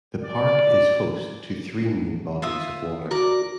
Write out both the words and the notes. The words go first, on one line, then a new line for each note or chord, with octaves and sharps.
The park is host to three main bodies of water.
D5
F4 E5 D#6
F#4 A#4 D5 D6